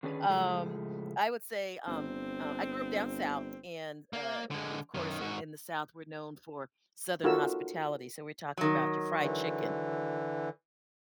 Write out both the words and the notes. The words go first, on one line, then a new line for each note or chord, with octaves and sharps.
um, I would say, um, uh, I grew up down south, and, uh, of course, in in the South, we're known for southern hospitality, so we're talking about your fried chicken,
D3 D#3 C#4 D4 G#4 B4
A2 C#3 F3 G#3 A3
G1 C4
A#3
D3 G#3
F#2 D#3
G#2 F#4
D#4 F4 F#4 A4 A#4 E6
D#3 F#3
D3 E3